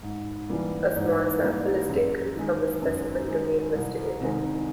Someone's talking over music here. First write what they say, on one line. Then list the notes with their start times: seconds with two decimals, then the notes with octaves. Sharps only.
A small sample is taken from the specimen to be investigated.
0.03 G#2
0.50 E3 G3 A#3
0.96 G#2
1.43 E3 G3 A#3
1.89 F#2
2.35 D#3 G#3
2.82 F#2
3.28 D#3 G#3
3.75 C2
4.20 C3 D#3 G#3